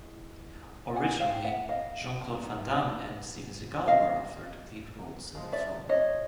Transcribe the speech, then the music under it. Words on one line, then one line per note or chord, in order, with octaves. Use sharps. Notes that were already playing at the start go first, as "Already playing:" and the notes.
Originally Jean-Claude Van Damme and Steven Seagal were offered lead roles in the film.
Already playing: E3 G#3
F#5 G#5
F5 G5
E5 F#5
D#5 F5
G3 B3 D#4
D#5 F5
F3 G#3
D5 E5
C#5 D#5